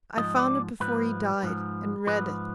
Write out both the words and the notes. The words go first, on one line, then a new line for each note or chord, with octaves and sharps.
I found it before he died--and read it.
G#2 F3 D#5
D5
G#2 F3 B4
G#2 F3
G#2 F3 B4